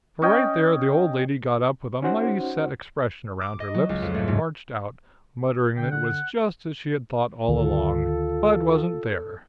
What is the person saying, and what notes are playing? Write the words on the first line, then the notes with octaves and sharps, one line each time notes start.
For right there the old lady got up with a mighty set expression around her lips and marched out, muttering that it was just as she had thought all along--Bud wasn't there.
C#4 D#5 G5
C#4 D#4 F#4 C5 F#5
D6
D#5
F#3
C#2
F2
A3
G#2
D3 G5
F#5
D2 D3 D#3 F4 A4